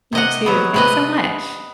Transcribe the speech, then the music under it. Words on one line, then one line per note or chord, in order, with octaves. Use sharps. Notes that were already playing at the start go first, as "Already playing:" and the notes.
You too. Thanks so much.
C3 D#5 F#5
F#3 B3
C3 B4 D#5